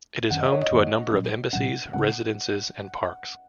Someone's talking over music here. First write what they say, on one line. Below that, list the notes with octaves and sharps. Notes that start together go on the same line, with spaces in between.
It is home to a number of embassies, residences and parks.
F#2 D#3 A#3 C#4 F#5
D#5
C#5
D#5
F#2 D#3 A#3 C#4
A#2 F#3 C#4
A#2 F#3 C#4 F#5
C#3 G#3 C#4 F#5